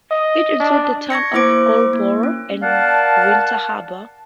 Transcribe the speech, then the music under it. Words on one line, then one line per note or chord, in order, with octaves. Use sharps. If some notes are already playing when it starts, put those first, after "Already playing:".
It includes the towns of Gouldsboro and Winter Harbor.
D#5
D4
C#6 G#6 A#6 C#7
A#3 E4 C5 D6 D7
A#3
C#4
A#4 D5 F5 F#5 A5